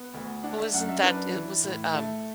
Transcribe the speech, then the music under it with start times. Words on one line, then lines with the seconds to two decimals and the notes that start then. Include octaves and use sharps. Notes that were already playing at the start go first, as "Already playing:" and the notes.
Well, isn't that it was, uh, um,
Already playing: B3
0.14 D2
0.44 D4 F#5
0.58 E5
0.74 F#2 F#5
0.89 E5
1.03 D4 B4
1.33 E3
1.63 A2
1.94 A3